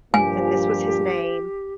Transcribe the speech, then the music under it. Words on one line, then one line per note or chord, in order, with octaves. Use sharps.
and this was his name,
G2 A#2 F3 G4 G#5